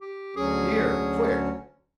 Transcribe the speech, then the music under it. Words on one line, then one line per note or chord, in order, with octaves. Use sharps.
"Here, quick!"
G4
D2 F#3 C#4 G#4